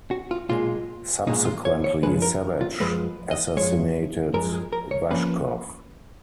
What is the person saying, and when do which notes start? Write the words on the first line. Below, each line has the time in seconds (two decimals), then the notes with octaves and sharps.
Subsequently, Savage assassinated Vashkov.
0.11 F#4
0.31 F4
0.49 B1 A#2 G#3 F4
1.27 B1 A#2 G#3 D#4
1.45 F4
1.65 C#5
1.84 C#5
2.03 F#2 F3 G#3 B4
2.22 A#4
2.61 F4
2.80 F#2 F3 G#3 B4
3.31 D#5
3.57 F#2 F3 G#3 C#5
4.34 F#2 F3 G#3 A#4
4.53 G#4
4.73 A#4
4.91 C#5
5.11 F3 A#3 C#4 B4